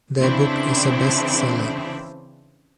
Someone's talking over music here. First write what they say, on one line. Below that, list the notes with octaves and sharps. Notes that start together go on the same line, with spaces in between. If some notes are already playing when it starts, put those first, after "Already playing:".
Their book is a best seller.
C#3 E3 C4 D4 E4